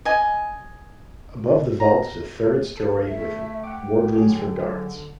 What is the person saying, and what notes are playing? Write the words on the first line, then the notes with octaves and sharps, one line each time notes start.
Above the vault is a third story with wardrooms for guards.
D#5 G#5
A#5
A4
A3 E5
F#5 G5 D6
D3 F#3 G4 G#4